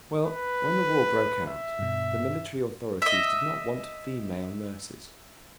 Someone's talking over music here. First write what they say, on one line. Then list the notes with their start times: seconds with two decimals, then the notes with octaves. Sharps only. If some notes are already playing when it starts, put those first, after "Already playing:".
Well, when the war broke out the military authorities did not want female nurses.
0.25 B4
1.46 E5
1.79 G2 B2
3.02 D#5 E5